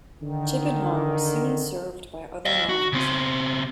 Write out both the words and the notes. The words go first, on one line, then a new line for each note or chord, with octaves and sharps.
Chippenham was soon served by other lines.
D3 D#3
D#5 F5
F#4
C#3 C4